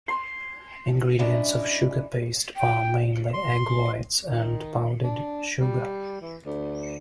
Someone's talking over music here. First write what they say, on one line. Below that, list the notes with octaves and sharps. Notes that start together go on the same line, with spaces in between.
Ingredients of sugar paste are mainly egg whites and powdered sugar.
C6
F#2 C#4 D4 E4 D#5
G5
C6
D#3
D4
G3
E3
D2